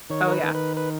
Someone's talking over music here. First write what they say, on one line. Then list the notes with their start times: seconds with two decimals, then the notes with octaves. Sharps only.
Oh, yeah.
0.10 D#3 C#5
0.27 A#4
0.32 B4
0.43 D#3
0.55 B4
0.77 B4